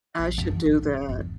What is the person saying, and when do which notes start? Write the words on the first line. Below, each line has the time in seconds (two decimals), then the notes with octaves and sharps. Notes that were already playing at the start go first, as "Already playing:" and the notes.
I should do that.
0.19 A#1
0.38 F#2
0.51 E3
0.65 A1
0.83 A1
0.95 D1
1.09 G1
1.21 D#2